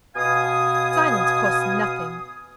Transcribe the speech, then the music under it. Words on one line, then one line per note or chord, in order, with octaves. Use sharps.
Silence costs nothing.
B2 F5 G#5 D#6